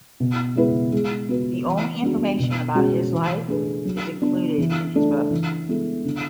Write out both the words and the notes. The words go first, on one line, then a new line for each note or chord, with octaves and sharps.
The only information about his life is included in his books.
B2
G#3 B3 E4 B4
G#3
B3 F#4 B4
E3
G#3 B3 D4 F#4
B2
G#3 C#4 F#4
E3
A3 D4 G#4 B4
F#3
B3 D4
E3
A3 D4
E3
G#3 B3 E4 A4
D3